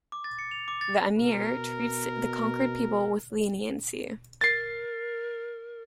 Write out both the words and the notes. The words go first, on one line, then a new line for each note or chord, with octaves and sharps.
The "amir" treats the conquered people with leniency.
D6
A6
C#7
F7
D6
A6
B2 A#4
A#4 A6 C7